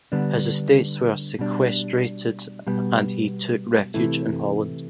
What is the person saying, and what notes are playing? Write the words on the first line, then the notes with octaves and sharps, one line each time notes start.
His estates were sequestrated and he took refuge in Holland.
D3 G3 B3 D4
B2 G3 D4
B2 G3 B3
C3 E3 A3 E4